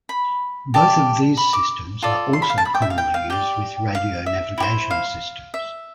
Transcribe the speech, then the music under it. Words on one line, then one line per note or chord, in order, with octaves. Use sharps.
Both of these systems are also commonly used with radio navigation systems.
B5
G4 D5 A5
B5
D6
F4 A4 D5
C6
B5
F5
A5
B5
G5
E5
F5
G5
F5
G4 D5 G5
F5
E5
E4 G4 C5
F5
E5